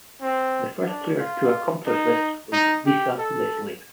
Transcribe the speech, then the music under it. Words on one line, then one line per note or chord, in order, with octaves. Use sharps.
The first player to accomplish this was Lisa Leslie.
C4
D4
F4
D#4
D#4
G4
A4